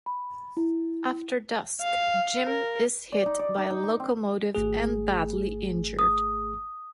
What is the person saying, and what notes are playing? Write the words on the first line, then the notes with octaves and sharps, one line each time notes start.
After dusk, Jim is hit by a locomotive and badly injured.
B5
E4
F5
A#4
D5
D#4
D5
D#4
D#4
D6
C4
G#1 A3 G#4
D#6